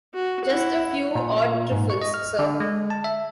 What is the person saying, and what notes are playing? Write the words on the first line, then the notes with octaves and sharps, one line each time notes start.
Just a few odd trifles, sir.
F#4
E4 F#5
A#2
A#2
G#2
C#6
D#5
F6
D3
G#3
A5
E5